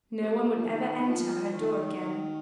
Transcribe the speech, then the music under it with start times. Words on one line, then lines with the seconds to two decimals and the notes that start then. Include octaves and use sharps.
No one would ever enter her door again.
0.21 C3
0.57 F3
0.64 D#3
1.01 D#3
1.08 F3
1.51 D#3
1.94 D#3